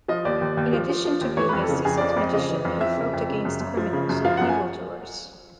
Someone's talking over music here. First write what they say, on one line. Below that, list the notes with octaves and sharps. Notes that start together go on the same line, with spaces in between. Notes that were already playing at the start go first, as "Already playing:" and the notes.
In addition to being a seasoned magician, he fought against criminals and evildoers.
F3 D#5
D#2 D5
D#2
D#2
F3
F3
F3
D#2
E3 C#5
F2 B4
A4
C#3
F2 G#4
D5
F2
D5
F2 D#5
C#3 D#5
E3
F2
F2 E5
C#3
F2
C#3
F#2
F#2
F3
C#3
F#2
F3 F5
F#2 F#5
G#5